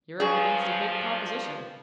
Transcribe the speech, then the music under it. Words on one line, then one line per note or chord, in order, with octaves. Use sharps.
"You're up against a big proposition."
G2 F3 F#3 G#4